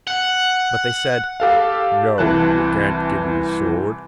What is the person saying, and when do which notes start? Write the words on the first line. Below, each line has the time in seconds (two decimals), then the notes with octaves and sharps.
But they said, 'No, we can't give you the sword.
0.07 F#5
1.40 G4 A4 F5
2.18 C2 E3 A5 F#6